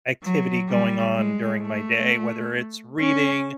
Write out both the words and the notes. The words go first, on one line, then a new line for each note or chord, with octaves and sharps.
activity going on during my day, whether it's reading
F#3
G3
G#3
A3
C#4